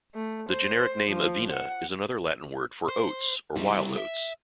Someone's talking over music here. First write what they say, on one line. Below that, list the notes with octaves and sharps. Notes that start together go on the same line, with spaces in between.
The generic name "Avena" is another Latin word for "oats" or "wild oats".
A3
C5
F3
F#5
C5
G3 E4
E5